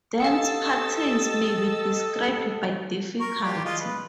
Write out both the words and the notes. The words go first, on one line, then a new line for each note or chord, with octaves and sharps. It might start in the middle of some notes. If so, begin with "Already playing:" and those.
Dance patterns may be described by difficulty.
G4 A4 D#5 F5 F#5 E6 A6
A#4 C#6
F4 G4 D5
G#3 F4 D#5
B4